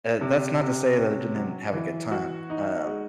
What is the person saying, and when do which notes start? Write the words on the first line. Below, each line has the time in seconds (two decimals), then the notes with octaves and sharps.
uh, that's not to say that I didn't have a good time, um,
0.21 C3
0.60 C3
0.98 C#4
1.35 F#3
1.73 E3
2.12 F#4
2.50 D#4
2.87 G#3